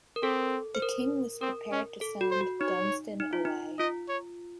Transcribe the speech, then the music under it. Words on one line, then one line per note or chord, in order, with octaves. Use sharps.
The king was prepared to send Dunstan away.
A#4
C4 A4
C5
A#4
C4 A#4
C#4
A4
F#4
C5
F#4
D#4 C#5
D#4
F4
D#4
F4 D#5
C#5